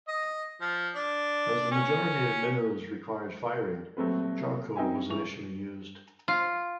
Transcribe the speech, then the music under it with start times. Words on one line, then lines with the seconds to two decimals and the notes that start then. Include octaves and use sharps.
As the majority of minerals required firing, charcoal was initially used.
0.08 D#5
0.61 F3
0.95 D4
1.71 C#4
3.97 D#1 F#3 A3 C4 B4
4.76 C4 D#4 D#5 E5 G5 G#5
5.10 G#2 E3 C#4 C#6 F7
6.28 F4